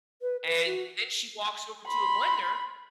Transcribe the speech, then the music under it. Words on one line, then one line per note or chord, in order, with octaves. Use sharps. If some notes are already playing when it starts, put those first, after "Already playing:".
And then she walks over to a blender
B4
B4
F#4
B5 C6